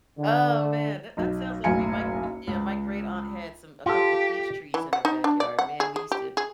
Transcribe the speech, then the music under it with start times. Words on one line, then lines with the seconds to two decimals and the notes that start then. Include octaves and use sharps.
Oh, man. That-that sounds like we might yeah, my great-aunt had some a couple of peach trees in her backyard, man, we used to
0.19 D3
1.17 B1 D#4
1.64 F#1 B1 A2 F5 G#5 C#7
2.47 C#2
3.86 F4 G4 A4
4.74 E3
4.93 F#5
5.05 D#4
5.24 D4
5.40 D5
5.59 F#5
5.80 G#4
5.96 G#4
6.12 G4
6.37 G#4